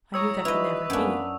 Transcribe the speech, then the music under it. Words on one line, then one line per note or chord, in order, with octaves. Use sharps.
I knew that could never be.
A2 C#5 A#5 C#6 D#6 E6
F3 G3 D#4 E4 B4 D#5 F7
F#2 A#3 B3 D4